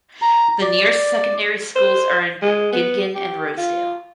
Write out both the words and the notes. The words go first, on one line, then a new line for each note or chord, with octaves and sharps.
The nearest secondary schools are in Gin Gin and Rosedale.
A#5
D5
C5
G#3
B3
G4
F4